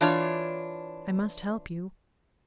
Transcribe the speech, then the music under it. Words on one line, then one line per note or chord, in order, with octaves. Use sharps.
I must help you.
E3 D4 F4 C#5